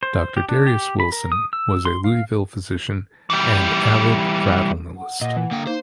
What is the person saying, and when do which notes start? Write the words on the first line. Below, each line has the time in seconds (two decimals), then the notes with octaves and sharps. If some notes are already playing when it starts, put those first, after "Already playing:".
Doctor Darius Wilson was a Louisville physician and avid fratalnalist.
0.03 C5
0.37 G4
0.49 D4
0.67 G4
1.00 B5
1.12 A#4
1.32 D#6
1.53 E6
1.85 C6
2.04 F5
3.30 E3 G3
4.97 F#5
5.21 A#2 D#5 F#5
5.37 E3
5.51 D3 A#3 G5
5.67 D#4 C5